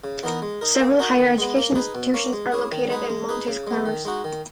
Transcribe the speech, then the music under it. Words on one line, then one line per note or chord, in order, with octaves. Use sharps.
Several higher education institutions are located in Montes Claros.
C#3
E3 B3 D#4 A#4
G#3
D#4 A#4
A#3
D#4 F#4 A#4
D#3
G#3 B3
A#3
D#4 G#4 B4
B2
A#3 C#4
G#3
C#4 E4 G#4
D#3
G#3 D#4 G#4 B4
G#3
D#4 G#4 B4
C#3
G#3 B3
D#3
G#3 D#4 F#4
D#3